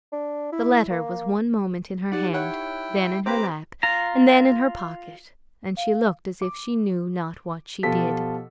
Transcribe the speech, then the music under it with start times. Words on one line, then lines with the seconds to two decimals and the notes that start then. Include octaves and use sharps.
The letter was one moment in her hand, then in her lap, and then in her pocket; and she looked as if she knew not what she did.
0.13 D4
0.52 E4
0.90 A#3
2.12 D#4 G4 D5 F#5
2.33 E4 C#5 F#5 G5
3.26 C4 G4 B4 C5 A#5 D6
3.83 F4 A#5
5.77 F5
6.42 D6
7.83 B2 F3 F4 G4 A4 B6